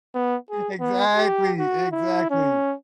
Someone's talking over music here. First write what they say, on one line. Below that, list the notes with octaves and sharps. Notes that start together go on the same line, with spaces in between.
Exactly, exactly.
B3
G#4
B3
G4
F#4
E4
C#4